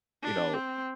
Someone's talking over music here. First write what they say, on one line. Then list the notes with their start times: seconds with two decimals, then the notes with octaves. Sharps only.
you know,
0.23 D4
0.54 C4